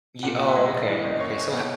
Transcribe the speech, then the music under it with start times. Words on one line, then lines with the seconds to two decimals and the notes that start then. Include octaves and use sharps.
Y oh, okay, okay. So ho
0.23 A#2 F#5
0.39 A#2 F#5
0.48 E5
0.56 G#3 D#5
0.73 A#1
0.88 E3
1.04 F#1
1.11 D#5
1.20 F#1 C#5
1.37 F#1
1.52 B3